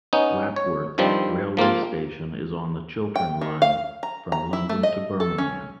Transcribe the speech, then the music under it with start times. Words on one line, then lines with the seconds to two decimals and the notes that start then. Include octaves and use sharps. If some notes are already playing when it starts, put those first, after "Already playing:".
Lapworth railway station is on the Chiltern line from London to Birmingham.
0.13 B3 C#4 D#4
0.56 C#5
0.98 G2 D#3 F3 G3 C4
1.57 F3 A#3 C4 F4
3.16 G5
3.41 D#3
3.62 F5
4.03 A#5
4.32 A#5
4.53 E4
4.69 A3
4.83 D#5
5.20 A4
5.38 C#4